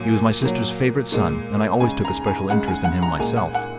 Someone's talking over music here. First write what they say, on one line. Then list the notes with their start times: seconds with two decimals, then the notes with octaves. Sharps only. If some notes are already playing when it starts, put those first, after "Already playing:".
He was my sister's favorite son, and I always took a special interest in him myself.
Already playing: A#2 F#3 G#5
0.42 A#2 F#3
1.12 A#2 G#3
1.80 C#3 G#3 G#5
2.05 A#5
2.27 G#5
2.50 C#3 G#3 F#5
2.68 G#5
2.84 F#5
3.02 A#5
3.19 A#2 G#3 G#5
3.36 F#5
3.54 F#5